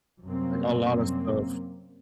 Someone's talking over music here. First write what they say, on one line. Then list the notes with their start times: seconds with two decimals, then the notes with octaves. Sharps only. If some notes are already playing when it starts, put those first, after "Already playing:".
like, a lotta stuff
0.24 F#2 C3 F#3 G3 A#3 C4